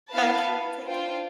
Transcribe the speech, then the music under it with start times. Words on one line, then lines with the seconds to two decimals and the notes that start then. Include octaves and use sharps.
Okay, take care.
0.12 B3 E4 B4 F5 A5
0.85 D4 F4 C5 G5